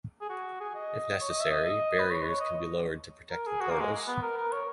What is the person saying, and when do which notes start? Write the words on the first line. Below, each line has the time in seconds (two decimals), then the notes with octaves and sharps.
If necessary, barriers can be lowered to protect the portals.
0.21 G#4
0.30 F#4
0.61 G#4
0.75 D#5
1.21 C#5
1.30 D#5
1.40 E5
1.51 D#5
1.65 D#5
1.99 B4
2.11 C#5
2.22 B4
2.26 C#5
2.40 D#5
3.32 A#4
3.47 G#4
3.61 F#4
3.71 A#3
3.81 G#3
4.07 B3
4.22 A#4
4.37 A#4
4.53 C#5